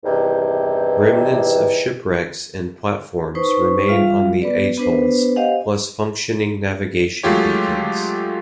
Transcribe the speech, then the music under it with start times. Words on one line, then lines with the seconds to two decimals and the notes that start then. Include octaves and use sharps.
Remnants of shipwrecks and platforms remain on the atolls, plus functioning navigation beacons.
0.04 E2 G2 C3 D#3 E3
3.35 D#4 B4 C5 C#6
3.88 G3 F4 E5 F5
4.42 B3 B4 D5
4.77 B3 D4 B4 C5
5.36 G4 C5 D#5 F5 F#5 G#5
7.23 F#3 G#3 A3 F4 G4 C#5